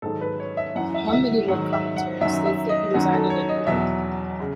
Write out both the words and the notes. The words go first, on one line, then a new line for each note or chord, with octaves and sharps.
One medieval commentary states that he resided in Italy.
G#2 D#3 F#3 A4
B4
C#5
E5
F#2 E3 F#5
E5
F#5
E5
G#2 D#3 F#3 F#5
E5
F#5
F#2 D#3 F#3 E5
E5
D#5
F#2 D#3 F#3 F#4
A4
C#5
D#5
E2 B2 F#3 E5
C#3